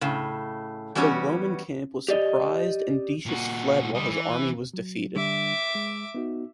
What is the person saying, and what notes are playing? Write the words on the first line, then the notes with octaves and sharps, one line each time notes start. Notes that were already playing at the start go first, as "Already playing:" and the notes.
The Roman camp was surprised and Decius fled while his army was defeated.
A2 C#3
E3 G3 B3 C#4 F#4 C#5
G4 D5 D#5
A#2 F#4
G3 D#5
E3
F#3
D3 G3 D4 E5 D6
G#3
B3 D#4 F#4